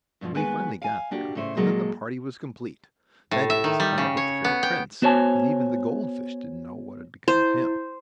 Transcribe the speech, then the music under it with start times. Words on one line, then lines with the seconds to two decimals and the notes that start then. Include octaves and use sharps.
But he finally got there, and then the party was complete; that is, all but the fairy prince, and even the goldfish didn't know what had become of him.
0.21 G2 B2 D3 F3
0.35 D#2 G#3 B3 B4 G#5
0.82 F5 G#5
1.11 A#3 D4 F#4 G4
1.35 A2 C#3 A3 C5
1.57 A#2 F#3 G#3 A#3 A4
3.31 A2
3.50 E5
3.64 D#3
3.80 G3
3.98 C#3
4.17 C#5
4.44 B3
4.63 G5
5.02 B3 F#4 C5 C#5 G#5 A5
7.28 E4 C5